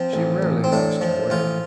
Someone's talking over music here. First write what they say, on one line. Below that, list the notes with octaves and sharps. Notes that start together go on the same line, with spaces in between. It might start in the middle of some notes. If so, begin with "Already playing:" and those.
She rarely lost her way.
Already playing: F3 C4
A1
A1
C4
A2 D4
F3
A1 F4